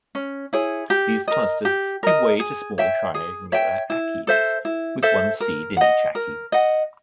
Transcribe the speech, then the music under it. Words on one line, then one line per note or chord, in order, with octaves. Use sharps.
These clusters give way to small triangular achenes, with one seed in each achene.
C#4
E4 G#4 C#5
G4
A#4 D#5
G4
A#4 D#5
G#4
C#5 E5 G5
G#4
C#5 E5 G5
E4
A4 C5 E5
E4
A4 C5 E5
A#4
D#5 F#5
A#4
D#5 F#5